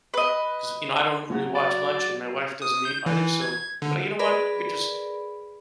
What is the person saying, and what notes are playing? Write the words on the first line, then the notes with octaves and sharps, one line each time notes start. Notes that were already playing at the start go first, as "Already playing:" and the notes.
'cause, you know, I don't really watch much and my wife doesn't ei either. So but, you know what? We just
B4 D#5
F#3 F#4
D5
D#6
G6
E3
G#6
D3
G#4 A#4 B4 D5 B5